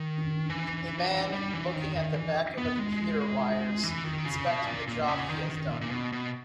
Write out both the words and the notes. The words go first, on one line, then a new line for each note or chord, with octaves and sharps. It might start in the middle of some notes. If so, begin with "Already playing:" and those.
A man looking at the back of a computer wires inspecting the job he has done.
Already playing: D#3
E3
G3
E3
D#3
D#3
E3
B3
G#3
E3
D#3
C#3
B2
A#2
A#2
C#3
D#3
D#3
A#2
A#2
B2
B2